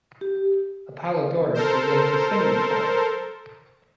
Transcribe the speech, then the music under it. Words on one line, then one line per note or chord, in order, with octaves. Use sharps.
Apollodorus relates a similar story.
G4
A4 A#4 C5